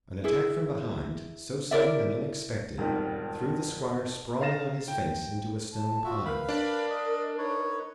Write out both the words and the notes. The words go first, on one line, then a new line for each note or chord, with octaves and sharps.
An attack from behind, so sudden and unexpected, threw the squire sprawling on his face into a stone pile.
E4 G#4 E5
E4 A#4 D5 E5
E1 F2 G#2 D#3 G3 G4
F5 A#5 A6 A#6 E7
G5
A5
F4 F#4 E5
A#4 B4 F5 B5
D4 D5
D#5
D#4 B4 C#5